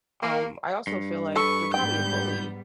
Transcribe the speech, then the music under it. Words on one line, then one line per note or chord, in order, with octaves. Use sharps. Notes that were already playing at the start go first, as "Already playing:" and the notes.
Um, I also feel like you're probably a bully.
A#3
G2
A4 B4 C#6
G#2 G3 B3 G5 G6